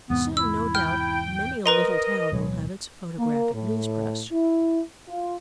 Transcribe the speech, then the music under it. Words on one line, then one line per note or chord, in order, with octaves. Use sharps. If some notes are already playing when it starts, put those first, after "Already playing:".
Soon, no doubt, many a little town will have its photographic news-press.
E2 G#2 C3 B3
E4 E6
G5 F6
A#4 B4 D#5 A#5 C6
D1 B2 F#3 G#3
A#3
A2
E4
F4